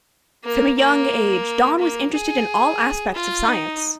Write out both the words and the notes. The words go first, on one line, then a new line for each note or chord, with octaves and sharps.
From a young age Don was interested in all aspects of science.
A#3
A#3
A#3
G#4
F4
D#4